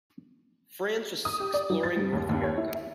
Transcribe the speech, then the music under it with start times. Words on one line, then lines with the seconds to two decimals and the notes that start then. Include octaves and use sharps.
France was exploring North America.
1.25 D#6
1.40 G4
1.54 D5
1.70 F#3
1.83 A6
1.96 G2
2.13 D#2
2.29 D#2
2.43 C#5
2.58 E4
2.74 E5